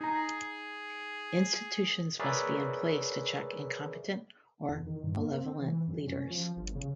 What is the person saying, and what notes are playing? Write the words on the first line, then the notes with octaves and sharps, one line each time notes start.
Institutions must be in place to check incompetent or malevolent leaders.
D#4 G#4 A#5
G#4 A#4 B4 C#5 D5 E5
E2
D#3
G2
A#3
C4
E3
F#2
C#4
F3
G1
C#3